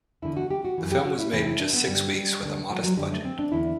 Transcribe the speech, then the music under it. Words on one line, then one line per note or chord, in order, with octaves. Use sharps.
The film was made in just six weeks with a modest budget.
E2 D3 E4
F#4
G4
F#4
F#2 E3
G4
F#4
E4
E2 C3 E3 E4
E4
D4
B3
G2 D3 G3
G3
D2 D3 G3
F#3
F#3
F#2 D3 G3
A3
C4
D4
E2 D3 E4